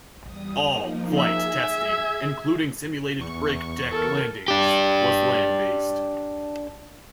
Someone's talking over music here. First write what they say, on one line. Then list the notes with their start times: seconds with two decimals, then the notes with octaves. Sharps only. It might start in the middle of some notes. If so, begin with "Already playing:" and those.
All flight testing-including simulated braked deck landings-was land-based.
0.25 E2 G3 D#6
0.65 F3 A#3 D#4
1.17 G#4 E5 G#6
3.19 E2 C#6
3.91 A4 A#4
4.48 D4 G4